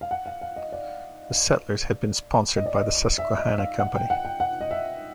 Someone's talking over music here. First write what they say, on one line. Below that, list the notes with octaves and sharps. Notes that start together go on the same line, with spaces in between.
The settlers had been sponsored by the Susquehanna Company.
F5
F#5
F5
F5
D#5
D5
D#5
D5
D#5
E5
D#5
F5
F#5
G5
F#5
G5
F#5
D#5
E5